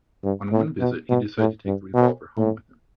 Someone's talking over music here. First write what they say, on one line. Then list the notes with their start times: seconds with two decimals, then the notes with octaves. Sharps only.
On one visit he decided to take the revolver home with him.
0.24 G2
0.52 A2
0.81 B2
1.10 B2
1.38 A2
1.66 G2
1.94 B2
2.37 A2